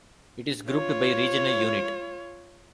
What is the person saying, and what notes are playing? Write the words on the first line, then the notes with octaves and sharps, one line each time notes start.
It is grouped by regional unit.
F4 C#5